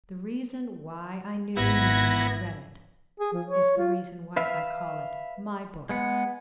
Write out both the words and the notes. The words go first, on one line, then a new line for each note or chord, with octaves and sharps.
The reason why I knew you had not read it is the reason why I call it "my" book.
G#1 B3 E4 F#5 G#6 A#6
G#4
F3
C#5
F4
B4 E5 F5
G#3 B3 F#5